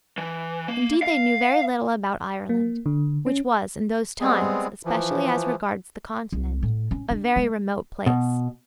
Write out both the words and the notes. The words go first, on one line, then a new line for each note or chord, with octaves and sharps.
Indeed they knew very little about Ireland, which was, in those times, especially as regards the Continent, a very remote place.
E3
A#3
F5
A#3
D3
C#4
G3 G#3 B3 C4 G#4
E3 F3
C2
A2
C#4
D4
G#3
B2